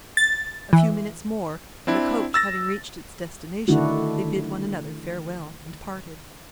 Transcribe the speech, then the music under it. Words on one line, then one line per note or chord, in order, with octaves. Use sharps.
A few minutes more, and the coach having reached its destination, they bid one another farewell, and parted.
A6
E3
C4 D4 E4
E6 A6 A#6
D3 D#3 A3 D4 E4 F#4